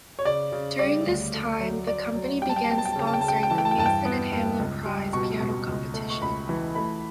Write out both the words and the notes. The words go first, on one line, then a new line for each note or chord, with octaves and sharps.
During this time the company began sponsoring the Mason and Hamlin Prize piano competition.
C#5
C#3 D5
C#3
G3 D5
D2
A3
F#3
F#3 D5
F#3
G3 G5
A5
G5
A5
B3 G5
A5
G5
A5
C#3 G5
A5
G5
A5
C#3 G5
A5
G5
E3 A5
G5
A5
G5
G2 A5
G5
B3
G2
C#2
G3
B2 C#6
B2
C#2
A3
C#6
C#2 B5
E3
A3 B5